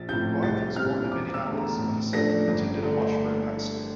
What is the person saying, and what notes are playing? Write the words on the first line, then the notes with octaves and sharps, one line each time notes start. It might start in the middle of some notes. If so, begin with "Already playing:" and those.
Hoag was born in Minneapolis, Minnesota, and attended Washburn High School.
Already playing: A#1 A6
A2 F3 C4 E4 G6
C2 A6
A#2 G3 C4 E4 F6
E1 D6
E6
E2 D3 A3
A#5
A2
F3 A3 D4 A#6
G1
D3 A3 D4